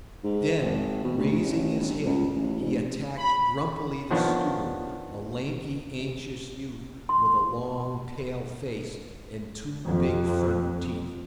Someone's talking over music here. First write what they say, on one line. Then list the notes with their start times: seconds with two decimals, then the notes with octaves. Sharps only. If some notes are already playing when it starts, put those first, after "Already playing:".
Then, raising his head, he attacked grumpily the steward, a lanky, anxious youth with a long, pale face and two big front teeth.
0.24 G#2
0.61 G#1
1.04 B2
1.18 D2
1.43 A1
1.80 G1
2.06 C#2
2.34 A1
2.60 F1
3.18 B5
4.11 D#3 F3 B3 D4 C#5
7.09 C6
9.86 F2